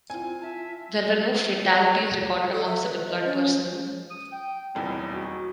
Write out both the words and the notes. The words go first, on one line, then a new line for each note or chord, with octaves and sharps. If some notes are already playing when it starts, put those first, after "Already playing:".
There were no fatalities recorded amongst the deployed personnel.
C4 F4 G#5
F4 E5 A5
C#5
C#5
A4
E5
B4
D#5
C#4
D#6
G5
D#1 B1 E2 C4
F#4